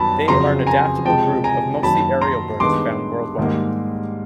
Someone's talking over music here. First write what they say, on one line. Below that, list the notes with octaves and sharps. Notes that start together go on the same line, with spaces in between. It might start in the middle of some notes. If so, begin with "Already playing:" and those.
They are an adaptable group of mostly aerial birds found worldwide.
Already playing: F#2 D#3 G3 B3 A5 B5
F2 C#3 F#3 A#5 C6
G#5 A#5
C3 F3 G#3 G5 A5
G#5 A#5
F#2 D#3 F#3 A#3 A5 B5
A#5 C6
G2 D#3 G#3 B3 C6 D6
G#2 D#3 G3 A#3